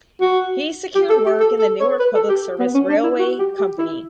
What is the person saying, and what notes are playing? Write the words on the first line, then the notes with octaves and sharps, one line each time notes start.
He secured work in the Newark Public Service Railway Company.
F#4
G4
A4
G4
A4
A4
C#5
B4
A4
G4
B3
C#4
D4
E4
F#4
G4
G4
E4